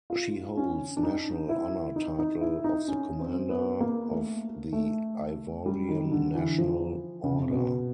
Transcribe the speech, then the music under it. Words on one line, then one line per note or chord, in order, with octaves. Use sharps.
She holds national honour title of the Commander of the Ivorian National Order.
F4
C#4
D4
D#4
E4
D#4
D#4
E4
D#4
C#4
C4
B3
A#3
A3
A3
G3
D#3
D3
E3
F3
C#3
C3
B2